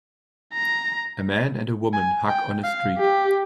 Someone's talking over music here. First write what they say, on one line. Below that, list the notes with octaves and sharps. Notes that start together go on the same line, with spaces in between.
A man and a woman hug on a street.
A#5
G#5
G5
F5
G4